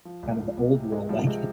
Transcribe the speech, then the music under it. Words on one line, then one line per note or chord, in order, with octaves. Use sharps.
kind of the old world, like,
F3
C#2
F3
C#2
C3
C3 G#3
F3 G3
C3 G#3